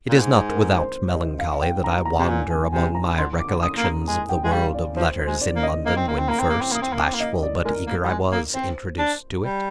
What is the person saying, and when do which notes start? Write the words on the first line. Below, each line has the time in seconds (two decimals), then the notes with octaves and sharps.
It is not without melancholy that I wander among my recollections of the world of letters in London when first, bashful but eager, I was introduced to it.
0.09 A#2
0.20 G#2
0.49 A#4
0.78 C5
1.09 D#5
1.39 F5
1.62 G5
1.84 A#5
2.05 A#5
2.18 C3
2.28 A#2 G#5
2.50 G#5
2.73 C3 G#5
2.95 A#5
3.17 D3 C6
3.40 D6
3.47 D3
3.63 D#6
3.77 A#3
3.84 A#5
4.08 G#3 G#5
4.29 G5
4.44 G#3
4.51 G3 F5
4.74 D5
4.97 F3 C5
5.19 C5
5.27 G#3
5.41 D5
5.56 A#3
5.63 D#5
5.86 A#3 D#5
5.96 C4
6.08 A#3
6.18 C4
6.29 A#3 A#5
6.39 C4
6.50 A#3 D6
6.61 C4
6.72 A#3 D#6
6.82 C4
6.92 A#3
6.98 D6
7.04 C4
7.14 A#3
7.20 D#5
7.43 D5
7.65 G#3 A#4
7.87 A#3
8.04 G3
8.09 G#3
8.32 A#3
8.54 C4 C5
8.99 D4
9.44 G3